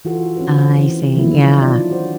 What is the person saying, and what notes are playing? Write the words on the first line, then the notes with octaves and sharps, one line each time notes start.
I see. Yeah.
E3 F4 F#4 A4
C4 C#4 B4
E3
D#3 F3 F#3 A#3 B3 E4
D4 D#4 F4 D5
D4 F#4 C5